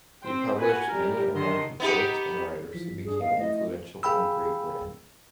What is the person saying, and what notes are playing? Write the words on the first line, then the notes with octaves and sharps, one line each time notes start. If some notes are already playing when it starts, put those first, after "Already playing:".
He published many emerging poets and writers who became influential in Great Britain.
C4 C5 G5
F#4 B4 G#5
G3 A#4
D3 D#3 D#5 C6
B3 D#4 G4
E3 F3 B6
G2
G2 D4 G#4
D#5 F5
A3 E4 D#5
G#4 F5 G5 B5 E6